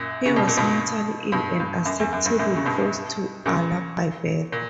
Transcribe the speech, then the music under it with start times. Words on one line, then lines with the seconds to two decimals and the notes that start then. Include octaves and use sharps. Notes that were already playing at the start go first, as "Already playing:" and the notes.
He was mentally ill and acceptable close to Allah by birth.
Already playing: F#2 A#2
0.26 C#3
0.36 B2
0.48 A#2
0.57 G2 B2
1.32 G2 B2
1.60 G2
1.86 F#2
2.00 E2
2.13 F#2
2.26 G2
2.39 F#2 A#2
2.56 C#3
2.65 G2 B2
3.46 A#2 C#3
4.52 A#2